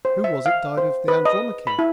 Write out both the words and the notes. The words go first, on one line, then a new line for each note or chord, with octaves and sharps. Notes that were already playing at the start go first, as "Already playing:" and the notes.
Who was it died of "The Andromache"?
C5
E5
F5
C5
B4
D#5
B5
E4